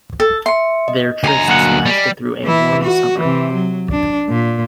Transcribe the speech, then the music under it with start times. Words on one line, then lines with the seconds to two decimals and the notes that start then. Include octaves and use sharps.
Their trysts lasted through a warm summer.
0.20 A4
0.46 E5 C6 C#7
0.88 D#5
1.24 D2 G#5 A#5
1.48 F#3 A#3 F#5
1.86 G3
2.44 E3 E4
2.84 F#4
3.20 C3 E3
3.53 F#3
3.91 D4
4.29 A#2